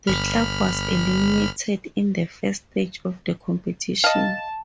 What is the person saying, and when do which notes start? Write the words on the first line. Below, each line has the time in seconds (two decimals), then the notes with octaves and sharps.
The club was eliminated in the first stage of the competition.
0.07 G1 B5 F6
4.04 D#5 F5 A5